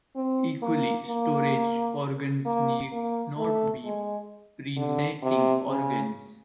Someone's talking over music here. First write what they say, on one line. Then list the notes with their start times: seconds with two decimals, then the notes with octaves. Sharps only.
Equally, storage organs need not be perennating organs.
0.15 C4
0.62 A#3
1.08 A#3
2.46 A#3
2.92 A#3
3.38 A3
3.84 G#3
4.76 D3
5.22 C3
5.68 C#3